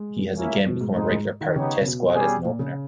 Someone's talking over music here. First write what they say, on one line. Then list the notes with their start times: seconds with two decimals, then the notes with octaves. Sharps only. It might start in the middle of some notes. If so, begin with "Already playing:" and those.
He has again become a regular part of Test squad as an opener.
Already playing: G#3
0.36 A#3 C#4 E4 A#4 E5
0.66 B2
0.81 G#2
0.96 G#2 G#3 B3 D#4
1.10 G#2
1.41 D#3
1.55 C#3 B3 D#4 G4 C#5
1.81 C#3
1.85 B2
2.15 G3 C#4 G#4
2.45 A#2
2.59 C#3